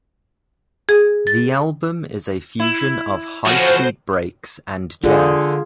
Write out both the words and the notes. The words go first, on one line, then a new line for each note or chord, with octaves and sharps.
The album is a fusion of high speed breaks and jazz.
G#4
A6
E4
A2 F3 C#4 F#4 C5
D3 F4 G#4